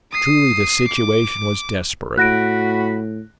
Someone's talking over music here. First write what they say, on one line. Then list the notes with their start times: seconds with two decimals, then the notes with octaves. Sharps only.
Truly the situation was desperate.
0.13 D#6 C7
0.88 D6
2.18 A2 F#4 B5 F#6 A#6 D7